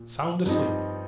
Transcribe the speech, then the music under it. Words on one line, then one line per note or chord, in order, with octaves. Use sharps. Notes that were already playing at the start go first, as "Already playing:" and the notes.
Sound asleep!
Already playing: A#2
G2 F3 C4 D#4